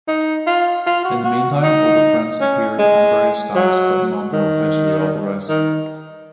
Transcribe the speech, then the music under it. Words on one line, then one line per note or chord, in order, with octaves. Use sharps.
In the meantime, overprints appeared on various stamps, but none were officially authorized.
D#4
F4
F4
F#4
F#4
D#4
C#4
G#3
F#3
D#3
D#3